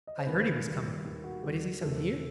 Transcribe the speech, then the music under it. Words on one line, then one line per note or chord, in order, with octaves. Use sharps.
"I heard he was coming, but is he so near?"
D#5
C5
D#2 D#3 G3 B4
D#2 D#3 G3
D#2 D#3 G3
F#4
D#2 D#3 G3 G4
E1 E2 D#3 A3 A4